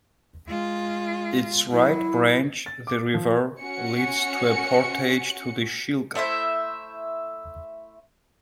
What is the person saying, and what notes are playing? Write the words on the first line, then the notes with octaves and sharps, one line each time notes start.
Its right branch, the River, leads to a portage to the Shilka.
G#3 F4
F#3 E4
A6
D6
F3
C#4 F#4 C#7
A3 E4 C5 E5